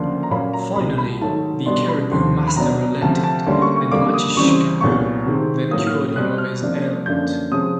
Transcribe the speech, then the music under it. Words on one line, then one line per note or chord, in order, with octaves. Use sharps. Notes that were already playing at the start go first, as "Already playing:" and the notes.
Finally, the Caribou Master relented, and Matshishkapeu then cured him of his ailment.
Already playing: D2 C#3 F3 A#3 D4 C6
A#5
A#2 F#3 A#3 C#4 B5
A#5
C2 B2 G3 B5
B5
G#2 D#3 F#3 A3 A5
B2 G3 B3 D4 C6
B5
D#2 D3 F3 C6
B5
B2 F#3 B3 D4 A#5
D2 C3 F3 A5
A5
D2 D3 G3 A#3 C#4 C6
C#6
C#6
F2 D3 G3 A#3 D6
D#6
C#2 C#3 E3 G3 C4 C#6
C2 A#2 F#3 B3 C#6
C3 D#3 G#3 C4
A2 F#3 A#3 D#6
F6
B2 G3 C4 F#6
F6
C3 F3 A#3 D4
F#2 D3 F3 A#3 D4 G6
C3 F3 G#3 C#4 D#6